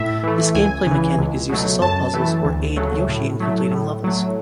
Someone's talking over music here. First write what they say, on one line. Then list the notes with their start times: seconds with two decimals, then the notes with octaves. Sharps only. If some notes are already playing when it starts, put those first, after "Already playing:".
This gameplay mechanic is used to solve puzzles or aid Yoshi in completing levels.
Already playing: A2 E5
0.23 E3 A3
0.54 C#2 G#5
0.86 C#3 E3
1.18 C#2
1.49 B2 F#3 A3
1.82 F#2 A5
2.14 E3 A3
2.45 D2
2.76 C#3 F#3 A3
3.08 A2
3.40 F#3 A3
3.71 A2
4.04 F#3 A3